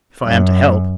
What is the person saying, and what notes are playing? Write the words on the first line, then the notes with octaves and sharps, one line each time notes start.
"If I am to help...."
F#2